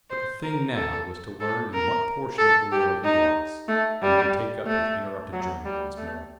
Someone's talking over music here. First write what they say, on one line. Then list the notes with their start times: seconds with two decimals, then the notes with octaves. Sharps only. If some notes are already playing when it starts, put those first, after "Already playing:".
But the thing now was to learn in what portion of the world he was, and then take up his interrupted journey once more.
0.10 C5
0.43 A#4
0.75 A4
1.41 A4
1.74 A#4
2.38 A4
2.72 G4
3.04 D#4
3.68 A3
4.02 G3
4.66 A3
5.33 F#3
5.65 G3
5.98 A3